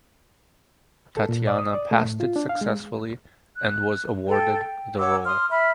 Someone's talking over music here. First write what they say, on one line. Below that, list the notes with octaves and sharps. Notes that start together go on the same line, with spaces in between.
Tatyana passed it successfully and was awarded the role.
A4
A#2
D5
D#6
D5
A3
A2
F4
D4
F5
G#3
F#6
A4 G5
G5
C#5 F#5 D6 E6
C6 D#6 F6
E5 B5 F6